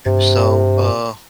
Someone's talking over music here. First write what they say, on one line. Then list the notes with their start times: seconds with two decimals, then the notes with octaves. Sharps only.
So, uh,
0.06 G2 C3